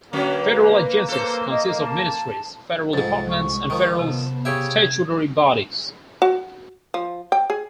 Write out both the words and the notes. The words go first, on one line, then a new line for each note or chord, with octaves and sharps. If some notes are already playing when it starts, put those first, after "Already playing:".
Federal agencies consist of Ministries, Federal Departments and Federal Statutory Bodies.
D3 F#3 A#3 C#4 B4
A4 C5
D#5
A5
C2 F2 G#2 G#3 A6
C#6
D#3 F3
C3 B3 A5
C#3 G4 E5 G#6
F#4
F3
G5
G#4